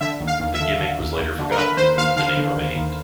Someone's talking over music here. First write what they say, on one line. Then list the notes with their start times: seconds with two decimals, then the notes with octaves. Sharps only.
The gimmick was later forgotten, but the name remained.
0.01 D3 E5
0.20 D#2
0.27 F5
0.40 D#2
0.54 E5
0.60 D3
0.80 D3
1.00 D#2
1.19 D#2
1.39 D3
1.51 A#4
1.57 D3 B4
1.77 D#2 C5
1.97 D#2 F5
2.17 D3 F5
2.37 D3
2.56 D#2
2.76 D#2